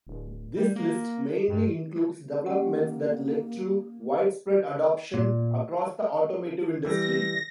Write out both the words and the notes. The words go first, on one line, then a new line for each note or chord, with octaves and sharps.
This list mainly includes developments that led to widespread adoption across the automotive industry.
D1
G3
A#3
G2
A#3 C#4 G4 F#5
A#2
E3 G3 A#6